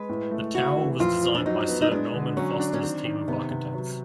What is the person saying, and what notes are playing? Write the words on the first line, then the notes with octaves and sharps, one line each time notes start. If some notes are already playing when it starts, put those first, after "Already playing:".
The tower was designed by Sir Norman Foster's team of architects.
Already playing: G#3 B4
A2
A3
E4 F#4
E3
F2 F4
F3
D4
F#3 D#4
B3
D#4
G#3 D4
D3
F#3 C#4
D4
C#4
D#3 C4
D#3
C3 B3
C3
F#3